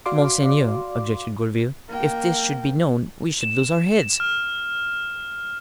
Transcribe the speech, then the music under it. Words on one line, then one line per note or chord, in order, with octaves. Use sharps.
"Monseigneur," objected Gourville, "if this should be known, we should lose our heads."
F#4 D5 F5 C6 D6
A#3 G5
E7
F6